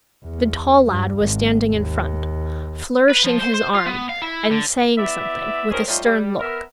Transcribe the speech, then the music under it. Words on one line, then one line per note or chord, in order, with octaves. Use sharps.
The tall lad was standing in front, flourishing his arm and saying something with a stern look.
E2
G2
G#1
D#2
B4
F3
C5
C5
F4
B3
F5
E4
D3
B3 E4 D5 E5
B2 D#3 C#4 G#4 A#4 C5
F3 G3 A3 C#4 D#4 F4
G3
B3 A#4 E5